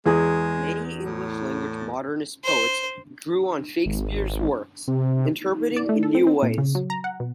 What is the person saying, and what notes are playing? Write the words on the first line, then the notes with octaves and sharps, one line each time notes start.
Many English-language Modernist poets drew on Shakespeare's works, interpreting in new ways.
E2 G#3 G#4
A2
C5
G#1
C3
D5
A3
A4
C4
C4
A#2
C#3
F#3
A#5
F#5
B2